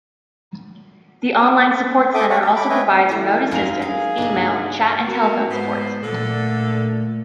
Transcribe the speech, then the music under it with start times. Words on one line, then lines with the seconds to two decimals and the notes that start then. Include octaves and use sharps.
The online Support Center also provides remote assistance, email, chat and telephone support.
2.14 A4 E5 G5 D6 D#6
2.30 C#5 E5 F#5 G#5
2.41 G4
2.56 B5 D6
2.70 B4 C#5 D#5 E5 G5 G#5
3.09 E3 A3 A#4 E5 F#5
3.51 F#2 D#4 A#4 F5 G#5 F7
3.82 G#4 F5
4.18 G1 C3 D4 D#4
5.04 B3 F#4 A#4
5.50 G#2 B3 C5
6.03 A#2 D3 A3 A4